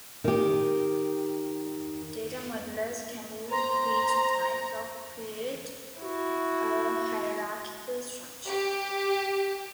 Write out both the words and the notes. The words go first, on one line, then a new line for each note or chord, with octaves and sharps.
Data modelers can use "feature types" to create a hierarchical structure.
D#3 G4
C5 A#5 C6
E4 F#4
G4